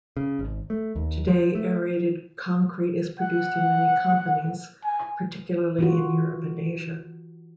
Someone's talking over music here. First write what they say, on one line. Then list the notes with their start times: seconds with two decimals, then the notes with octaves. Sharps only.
Today aerated concrete is produced in many companies, particularly in Europe and Asia.
0.17 C#3
0.39 G#1
0.70 A3
0.96 D#2
1.28 F3
1.55 A3
3.20 F#5
4.84 G#5
5.78 E3 F4 F#4